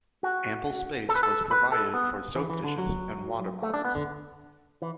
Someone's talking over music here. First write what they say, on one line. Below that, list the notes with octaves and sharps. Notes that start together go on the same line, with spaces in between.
Ample space was provided for soap-dishes and water-bottles.
F#4
A4
B4
A4
B4
A4
B3
E3
E3
D3
F#3
A3
D4
B3
D3
E3